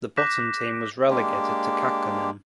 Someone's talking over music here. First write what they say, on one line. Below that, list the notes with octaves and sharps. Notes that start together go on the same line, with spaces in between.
The bottom team was relegated to Kakkonen.
D6 F#6 G6 A#6 B6 E7
G#3 A#3 D4 G4